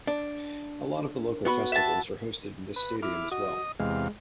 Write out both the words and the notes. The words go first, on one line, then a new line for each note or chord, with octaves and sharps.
A lot of the local festivals are hosted in this stadium as well.
D4
B3 F#4 B5
E5 A5
B4
E4 D6 F6
F#4 D#5 D#6
E2 C3 G#3 F5